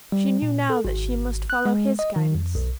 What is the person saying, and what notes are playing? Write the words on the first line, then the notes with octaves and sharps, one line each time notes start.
She knew now that she must follow his guidance.
G3
A#2
A4
G#1
F#6
G#3
D#5
D#3
F2
B1